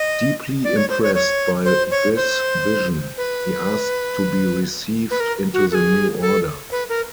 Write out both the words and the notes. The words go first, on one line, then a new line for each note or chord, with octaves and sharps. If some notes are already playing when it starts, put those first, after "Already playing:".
Deeply impressed by this vision, he asked to be received into the new order.
Already playing: D#5
D5
C#5
C5
C#5
C#5
C5
C#5
C5
B4
B4
A#4
F#4
A4
G#4
A4
B4
A#4